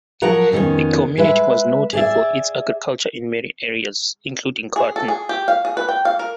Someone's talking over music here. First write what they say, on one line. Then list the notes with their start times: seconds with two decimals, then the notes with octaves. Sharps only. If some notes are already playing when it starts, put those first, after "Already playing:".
The community was noted for its agriculture in many areas, including cotton.
0.22 F3 F#3 A#4 F#5 A#5
0.52 F2 D#3 G3 B3 C#4
1.18 G#3 B4 E5
1.93 G#4 D5 E5
4.76 G#4
4.96 A4
5.08 G#4
5.29 G4
5.48 F5
5.65 G#4
5.77 B4
5.89 G5
6.05 F5
6.19 A#4